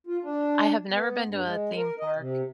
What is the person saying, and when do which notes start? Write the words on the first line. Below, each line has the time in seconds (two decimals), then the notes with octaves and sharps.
I have never been to a theme park.
0.07 F4
0.23 D4
0.91 B3
1.26 G2
1.44 G#3
1.76 A#4
2.00 D#5
2.18 C3